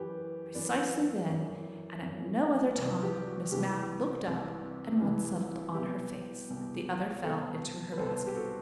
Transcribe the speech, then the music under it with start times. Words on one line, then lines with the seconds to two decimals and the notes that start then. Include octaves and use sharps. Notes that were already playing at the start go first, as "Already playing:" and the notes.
Precisely then, and at no other time, Miss Mapp looked up, and one settled on her face, the other fell into her basket.
Already playing: F#2 E3 G4 B4
0.55 F#2 E3 B4 D5
1.29 F#2 E3
2.03 F#2 E3
2.77 C2 C3 E3 B4 D5
3.03 G4
3.27 F#4
3.52 C2 C3 E3 G4
4.26 C2 C3 E3
5.00 C2 C3 E3
5.74 C2 B2 G4 B4
6.49 C2 B2
7.23 C2 B2 A4 C5
7.92 B4
7.97 C2 B2 A4 C5
8.26 G4
8.35 F#4 A4